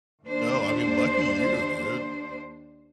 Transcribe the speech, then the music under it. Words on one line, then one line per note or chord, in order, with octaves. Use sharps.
No, I mean, lucky you, dude.
D#2 D4 C5